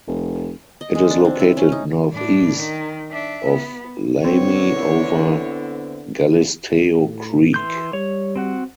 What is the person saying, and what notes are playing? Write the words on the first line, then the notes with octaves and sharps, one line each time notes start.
It is located northeast of Lamy over Galisteo Creek.
F1
D#5
G#3
D4
C4
E4
C#4
D#4
A2 D4
D#3
D4 E5
B3
D3 B3 C4 E4 C#5
A2
E3 C6 G6
G3 C#5
C4 F#4 F#5